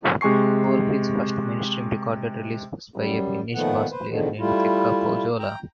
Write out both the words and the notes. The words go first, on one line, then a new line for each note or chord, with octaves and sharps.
Oldfield's first mainstream recorded release was by a Finnish bass player named Pekka Pohjola.
C3 G#3 G#5 C#6 C7
F#2 G3
A#2 D#3 F3 A3 B3 F#5
B4 C5
E2 B2 D3 D#3 F3
G3 A3 E4 F4
G5 A#5